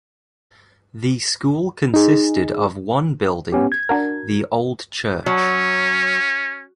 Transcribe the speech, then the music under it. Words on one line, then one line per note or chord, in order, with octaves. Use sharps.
The school consisted of one building, the old church.
D#4 G#4
B3 C#4 G4
G#6
D4 F#4 A#4
F#3 C#4